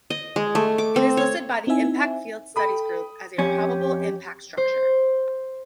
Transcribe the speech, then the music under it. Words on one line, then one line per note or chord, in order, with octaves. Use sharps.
It is listed by the Impact Field Studies Group as a "probable" impact structure.
D#5
G#3
A3
D6
C4
C#5
C4 D#4 E4 E5 G#5
A4 G5 B5 D#6
F2 C#4 G4
C5